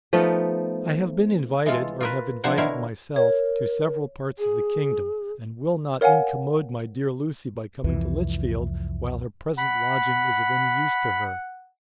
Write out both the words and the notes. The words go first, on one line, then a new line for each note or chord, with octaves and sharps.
I have been invited, or have invited myself, to several parts of the kingdom; and will not incommode my dear Lucy by coming to Lichfield, while her present lodging is of any use to her.
F3 A3 B3 D#4
E3 G#3 F4 A4
F4 A#4 B4
D3 F3 B3 C5 F#5 G#5
B2 D3 E4 A#4 C5 C#5
A#4 C#5
G#4
A#4 C#5 F5 F#5 G#5
C2 F2 E3
F#5 B5